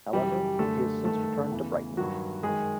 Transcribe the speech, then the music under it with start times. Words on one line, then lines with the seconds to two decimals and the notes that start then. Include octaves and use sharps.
However, he has since returned to Brighton.
0.13 F#2 C#3 E3 G3 G4
0.59 F#2 D3 A3 A4
1.05 G2 D#3 A3 A4
1.51 E2 C#3 E3
1.97 G2 D#3 F#3 F#4
2.43 F#2 D#3 G#3 G#4